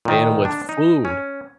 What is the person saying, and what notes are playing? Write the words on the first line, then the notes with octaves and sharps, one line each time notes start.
paying with food,
A#2 D#3
D4
D#4
C#4